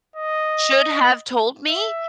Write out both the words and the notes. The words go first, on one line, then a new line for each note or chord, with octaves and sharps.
should have told me?"
D#5
E5